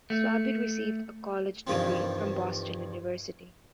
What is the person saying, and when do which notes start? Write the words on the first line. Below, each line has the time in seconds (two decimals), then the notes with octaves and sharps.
Swaby received a college degree from Boston University.
0.10 A3
1.67 E2 G2 C3 D#3 F3 C4